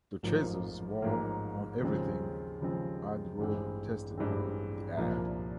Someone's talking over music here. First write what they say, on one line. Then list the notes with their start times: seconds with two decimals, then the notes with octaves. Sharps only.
The Chasers War On Everything "Ad Road Tested" The Ad.
0.23 A1 G#2 F3 A#3
1.02 A1 G#2 F3 A#3
1.81 D#2 C#3 F3 G#3 C4
2.60 D#2 C#3 F3 G#3 C4
3.39 A1 G2 E3 G#3 C4
4.18 A1 G2 E3 G#3 C4
4.97 C2 A#2 F3 A#3 D4